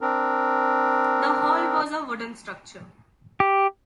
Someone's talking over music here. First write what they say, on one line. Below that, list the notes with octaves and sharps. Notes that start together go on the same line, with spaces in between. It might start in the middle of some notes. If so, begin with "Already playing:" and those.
The hall was a wooden structure.
C4 D4 A#4
G4